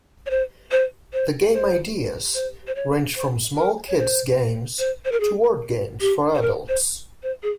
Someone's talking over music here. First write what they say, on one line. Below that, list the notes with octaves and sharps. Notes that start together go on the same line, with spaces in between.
The game ideas ranged from small kids' games to word games for adults.
C#5
C5
C5
C5
C5
C5
C5
C#5
C5
A#4
C#5
C5
C5
C5
A#4
G#4
G4
C5
A#4
C5
C5
G#4